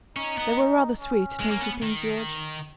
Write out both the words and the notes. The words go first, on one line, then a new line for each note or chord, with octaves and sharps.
"They were rather sweet, don't you think, George?"
C#4 D#4
B3
C#4
G#3
A#3
B3
D#3